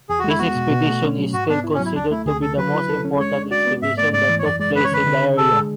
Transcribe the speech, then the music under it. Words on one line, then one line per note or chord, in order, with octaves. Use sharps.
This expedition is still considered to be the most important expedition that took place in the area.
E2 G#4
F#4
G#3 E4
B3 F#4
B2
B2
A3
C#4
F#3
G#2 F#4
B3 D4
E4
C#4
F#3
E4
D2 D4
A3 E4
D2 G#4
D3 A4
F#3 B4
E4
A4
C#4
G#3 C#5
D4
F#4 D5
B3
G#2 E5
A3 D5
G#2 D5
E3
C#5
F#2 D5
G#3 D5
C#4 B4
C#5
D3 B4
D3
D4
G#4 A4
G#3